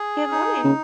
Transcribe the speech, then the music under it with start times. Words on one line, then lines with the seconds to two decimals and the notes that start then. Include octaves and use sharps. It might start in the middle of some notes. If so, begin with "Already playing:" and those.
Good morning.
Already playing: G#4
0.31 D#4
0.64 C#3